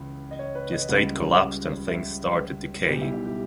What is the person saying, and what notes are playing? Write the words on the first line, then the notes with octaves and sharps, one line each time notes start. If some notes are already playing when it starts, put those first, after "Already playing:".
The estate collapsed and things started decaying.
Already playing: C#2 C#3 E3
D#5
C#5
B4
D#5
C#2 C#3 G3
E5
B1 B2 G3 G4
E4
E4
G4